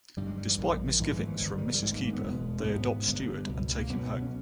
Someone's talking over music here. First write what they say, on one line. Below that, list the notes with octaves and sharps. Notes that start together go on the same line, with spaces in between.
Despite misgivings from Mrs. Keeper, they adopt Stuart and take him home.
G1 G2 G3
G#3
G3
E3
A#1 A#2 D#3
D#3
G#1 G#2 E3
G3
E3
G1 G2
D#3
E3
G3
G#1 G#2 G#3
A#3
A#3
B3
E1 E2 B2 G#3
C#4
G#1 G#2 B3
G1 G2
C#2 B2
A#3
B1 B2 B3
C#4